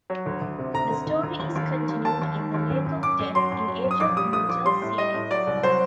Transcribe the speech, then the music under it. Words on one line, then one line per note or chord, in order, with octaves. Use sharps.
The story is continued in "The Lake of Death" in Age of Mortals series.
F#3
D2
D2
C3
D2 A#5
D2
D2
D2
D#2
D#2
D#3
D#2
D#2 A5
D#2
D#3
D#2
F#2
F#2
F#2 D6
F#2
F#3 C6
F#2
F#3
F#2
D#6
A#1 D6
G3 D#6
A#1 D#6
A#1 D6
G3 C6
A2
G3 D#5
A2
F#3 D5
C2
F#3 C5